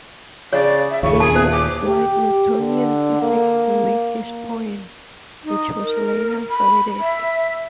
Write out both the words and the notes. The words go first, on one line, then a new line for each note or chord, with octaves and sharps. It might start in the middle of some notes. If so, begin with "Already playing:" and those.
Daly applied Newtonian physics to make his point, which was later validated.
C#3 C#5 D5
E5
D#2 A#2 C#3 C#6
G#4 A5
E2 C5
D6
G4
D3
A#3
D#4
A#4
B5
E5